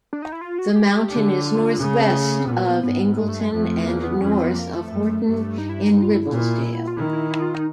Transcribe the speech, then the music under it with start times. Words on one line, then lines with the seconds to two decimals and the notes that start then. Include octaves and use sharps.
The mountain is north west of Ingleton and north of Horton-in-Ribblesdale.
0.13 D4
0.22 D#4
0.32 E4
0.41 F4
0.58 F#4
0.70 G#4
0.76 G4
1.11 D3
1.45 F4
1.80 C#3 C#4
1.97 C4
2.13 A3
2.40 C4
2.48 A#2 B3
2.83 G#2 B3
3.17 G2 G#3
3.29 A3
3.40 G#3
3.51 F2 A3
3.86 E2 A#3
4.04 B3
4.21 F2 C#4
4.32 C4
4.44 B3
4.55 A#3
4.72 A3
4.89 F#2
5.24 G2
5.58 D#4
5.69 E4
5.82 D#4
5.93 D#4
6.02 F4
6.10 E4
6.28 A#2
6.87 F4
6.96 D#3 E4
7.13 E4
7.31 E4
7.42 F4
7.54 D#4